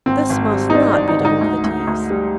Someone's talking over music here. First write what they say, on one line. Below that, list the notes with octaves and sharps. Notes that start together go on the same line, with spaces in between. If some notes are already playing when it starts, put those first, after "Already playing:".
This must not be done with the Teas.
G#1 C4
G#1
G3
D#4
G3 D4
D4
G#1
D#4
G#2
D#4
D2
D2
D2
G3